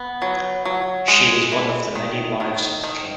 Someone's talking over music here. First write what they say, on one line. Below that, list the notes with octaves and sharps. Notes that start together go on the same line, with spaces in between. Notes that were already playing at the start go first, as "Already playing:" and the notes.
She was one of the many wives of the king.
Already playing: B3
F#3
F#3
G#3
E3
D#3
D#3
D#3